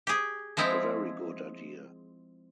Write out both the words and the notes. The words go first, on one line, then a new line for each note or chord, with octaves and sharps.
A very good idea!
G4 G#4
F3 G#3 C4 E4